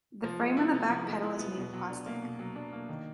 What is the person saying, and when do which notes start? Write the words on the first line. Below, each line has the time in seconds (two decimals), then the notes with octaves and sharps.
The frame and the back panel is made of plastic.
0.24 F3
0.41 G#3
0.57 E4
0.74 B3
0.90 F3
1.07 G#3
1.23 E4
1.39 B3
1.56 B2
1.73 F#3
1.89 D4
2.06 A#3
2.22 B2
2.39 F#3
2.56 D4
2.72 A#3
2.89 D#3